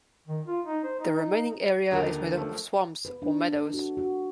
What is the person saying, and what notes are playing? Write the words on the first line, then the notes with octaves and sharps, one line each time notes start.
The remaining area is made up of swamps or meadows.
D#3
F4
D#4
C5
D#4
A#1 D#2 D3 G4 A#4
F3 A3
B4
D4
A4
F#4
F#4